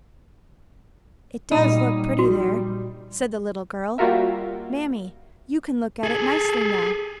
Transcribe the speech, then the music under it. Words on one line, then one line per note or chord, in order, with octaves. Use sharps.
'It does look pretty there,' said the little girl; 'mammie, you can look at it nicely now.'
A#2 F#3 G3 D#4
A#1 G3 F#4
G3 A#3 F4 F#4 A#4 E5
G#4 A4